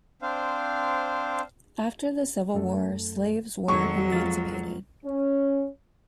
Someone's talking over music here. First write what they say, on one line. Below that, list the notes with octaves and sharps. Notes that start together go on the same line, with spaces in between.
After the Civil War, slaves were emancipated.
C4 D4 C5 F5
F#2 A3 A4
F2 D#3 F#3 G#3 C#6
F3 G#3 F4 A6
C#4